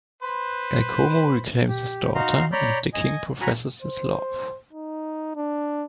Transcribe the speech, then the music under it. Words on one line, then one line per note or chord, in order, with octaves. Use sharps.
Giacomo reclaims his daughter, and the King professes his love.
B4 C5 B5
G4
D#4 F#4 F5 A#5 C6
C#5 D5 A#5 B5 G6
D#5 G#5
F#4 F#5 G#5 A#5 B5
C5
D#4
D4